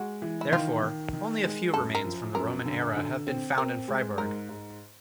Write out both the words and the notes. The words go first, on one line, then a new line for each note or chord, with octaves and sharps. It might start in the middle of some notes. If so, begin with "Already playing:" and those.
Therefore, only a few remains from the Roman era have been found in Fribourg.
Already playing: G#3 F#4
E3
E4
D#3 F4
D#3
D#3
G#3
F#2 A4
A#4
F3
F#2 A#4
D3
D3
C4
C4 A#4
G#3
G#2 A#4
G#2